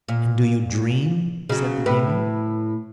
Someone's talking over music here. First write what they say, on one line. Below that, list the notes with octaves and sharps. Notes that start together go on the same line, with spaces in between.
"And do you dream?" said the daemon.
A#2
C#3 F#3
A2 B4